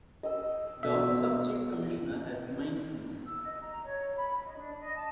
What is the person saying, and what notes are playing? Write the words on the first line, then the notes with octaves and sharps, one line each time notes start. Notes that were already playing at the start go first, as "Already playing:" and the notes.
The office of Chief Commissioner has remained since.
D#5 E6
B2 E5
E6
D#5
A#5
C#5
B5
D#5
D4
D#5
A5